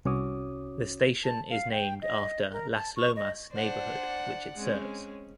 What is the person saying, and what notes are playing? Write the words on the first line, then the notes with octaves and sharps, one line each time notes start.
The station is named after "Las Lomas" neighborhood which it serves.
C2 C#4 F#4 C#5 D6 D#6
A5
F5
G5
D#5
A#4
A5
C#6
D#5
D4 C5 D5 F#5
G#3 C4 C#4